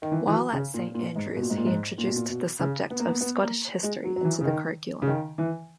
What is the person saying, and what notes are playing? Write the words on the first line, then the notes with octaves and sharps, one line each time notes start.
While at Saint Andrews he introduced the subject of Scottish history into the curriculum.
D#3
E3
E3
F#3
C#3
A#2
A#2
G#2
B2
A#2
G#2
A#2
G#2
A#2
B2
A#2
B2
C#3
B3
A#3
B3
B3
A#3
G#3
F#3
F#3
E3
C#3
D#3
C#3
D#3
E3